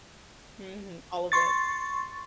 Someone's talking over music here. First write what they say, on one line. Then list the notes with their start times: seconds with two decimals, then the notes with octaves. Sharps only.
mhm, all of it.
1.32 C6 C#6 A6